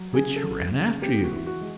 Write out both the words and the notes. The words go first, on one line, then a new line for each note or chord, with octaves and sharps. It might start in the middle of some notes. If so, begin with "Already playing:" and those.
"Which ran after you?"
Already playing: F#3
C#3 G#4
A4
F#3
C#3
C4 G4
F#4
E3
F#4
G#3